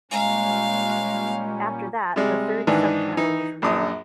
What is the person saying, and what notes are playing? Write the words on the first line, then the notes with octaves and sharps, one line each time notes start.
After that, the third subchannel was removed.
A#2 G3 G#3 C#4 F5 G#5 A#5
C3 G3 G#3
G#2 D#3 E3 D4
E3 D#4
A#1 F#2 D4 D#6